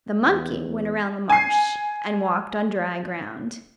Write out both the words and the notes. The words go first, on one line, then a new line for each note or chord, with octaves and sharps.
The monkey went around the marsh and walked on dry ground.
E2
G#5 C7